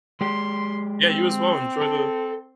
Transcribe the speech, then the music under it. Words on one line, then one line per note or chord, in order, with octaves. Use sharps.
Yeah, you as well. Enjoy the
G#3 G4 C6
C4
A4